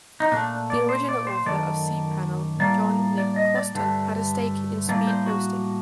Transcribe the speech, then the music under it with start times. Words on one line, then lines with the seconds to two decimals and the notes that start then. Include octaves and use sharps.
The original author of cPanel, John Nick Koston, had a stake in Speed Hosting.
0.20 D#4
0.32 A#2 A3 D4
0.70 D5
0.89 C5
1.09 D5
1.27 C5
1.46 F#2 D#3 A3 D5
2.60 A2 G3 A#3 D5
3.18 D5
3.36 D#5
3.55 D5
3.74 G2 D3 A3
4.89 A2 G3 A#3 D5
5.07 C5
5.26 F#4